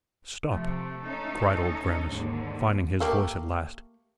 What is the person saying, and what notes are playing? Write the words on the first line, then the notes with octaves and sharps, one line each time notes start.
"Stop," cried Old Grannis, finding his voice at last.
C3 F3 A3
C#4 D#4 A4
D#2 G#2 D3
A3 A#3 G4